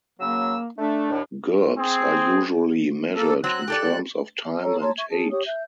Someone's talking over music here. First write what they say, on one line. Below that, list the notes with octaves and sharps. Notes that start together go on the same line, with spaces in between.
Gerbs are usually measured in terms of time and height.
C#3 F#3 A#3 E6
A3 D4
D#2 A2
C4 G#4
A#3 A4
F#3 C4 F#6
G4 A4 D5
A4 C#5 A#5 E6
C#5 A5 A#5 C6
E5 C#6 G#6
C#4 G#4 A5
G4 C#5 D#6
E5 G6